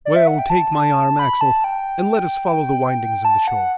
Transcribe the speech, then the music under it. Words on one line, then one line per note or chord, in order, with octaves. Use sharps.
"Well, take my arm, Axel, and let us follow the windings of the shore."
D5
E5
F#5
G5
A5
B5
A5
G5
A5
F#5